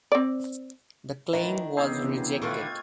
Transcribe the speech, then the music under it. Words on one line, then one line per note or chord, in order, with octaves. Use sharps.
The claim was rejected.
C4 D5
D#3 E3 D4 E4
D2 C#3 E3 B3 C4 G4 G#4
D3 D#3 A3 B3 F4 G#6